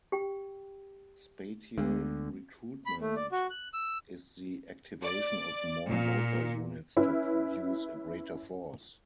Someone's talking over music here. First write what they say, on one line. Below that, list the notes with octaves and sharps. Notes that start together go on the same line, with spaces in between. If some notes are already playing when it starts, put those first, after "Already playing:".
Spatial recruitment is the activation of more motor units to produce a greater force.
G4 G5
D2 D3 G#3 B3
B5
A3
D5
F#4
F#6
E6
D5
A#2
C#4 E4 B4